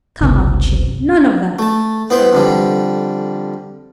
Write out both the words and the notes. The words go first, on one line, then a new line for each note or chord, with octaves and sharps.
"Come, Archie, none of that," said his brother.
G1 C#2 C3
A3 A5
B3 E4 C5 G5
F2 D3 G3